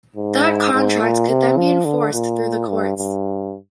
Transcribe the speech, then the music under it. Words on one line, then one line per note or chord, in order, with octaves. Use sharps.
That contract could then be enforced through the courts.
G#2
G#2
A#2
C3
F3
D3
A#2
G2
G2